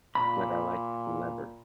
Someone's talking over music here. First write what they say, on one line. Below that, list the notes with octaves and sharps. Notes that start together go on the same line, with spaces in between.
Like, I like leather.
A#2 B5